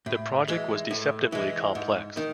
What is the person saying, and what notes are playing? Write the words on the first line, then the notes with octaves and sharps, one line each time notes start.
The project was deceptively complex.
A2
E3 G#3
A2
E3 G#3
G#2
D#3